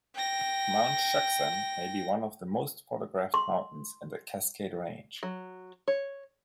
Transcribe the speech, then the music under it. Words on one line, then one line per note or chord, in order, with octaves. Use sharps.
Mount Shuksan may be one of the most photographed mountains in the Cascade Range.
G5 A#6
C6
F#3
C#5